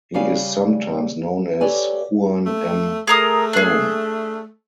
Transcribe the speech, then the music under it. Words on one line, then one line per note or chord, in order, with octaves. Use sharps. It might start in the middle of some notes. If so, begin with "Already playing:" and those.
He is sometimes known as "Juan M. Thome".
C#3 G3 G4 D5 F5 G#5
G4 A4 B4 C#5 D5 G#5
A3
A3 G#4 A#4 D#6
D4 G#4